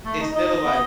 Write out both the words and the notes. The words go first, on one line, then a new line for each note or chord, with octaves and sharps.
instead of, like,
A3
D#4
D#4 D#5
D#4
B3